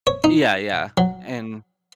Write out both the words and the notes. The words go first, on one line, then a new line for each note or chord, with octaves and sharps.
Yeah, yeah, and
C#5
D#4
F#3